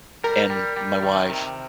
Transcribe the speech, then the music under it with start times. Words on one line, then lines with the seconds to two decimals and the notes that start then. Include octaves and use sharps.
and my wife.
0.24 G3 A#4
0.50 G3
0.77 G3
1.03 D#3
1.30 C3